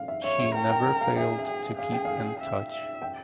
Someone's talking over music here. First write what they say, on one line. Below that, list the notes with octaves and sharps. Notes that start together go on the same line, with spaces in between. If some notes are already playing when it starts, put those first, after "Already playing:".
She never failed to keep in touch.
Already playing: F5
E5
C#5 E5
E5
A#4 G5
G5
G5
F5
G#4 E5
E5
G#4
G#4 F5
G5
F5
E5
E5
G5